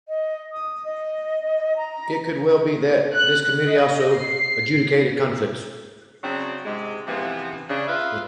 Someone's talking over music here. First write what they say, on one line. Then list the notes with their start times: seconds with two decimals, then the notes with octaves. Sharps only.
It could well be that this committee also adjudicated conflicts.
0.08 D#5
0.52 D#6
0.84 D#5
1.77 A#5
3.14 F#6
3.67 D#5
4.15 C7
6.22 C#3 F#3 C4 D4
6.63 G#2 C3 G#3
7.06 C3 E3 F3 B3
7.67 C#3 D4
7.87 F4 B4 E5 F5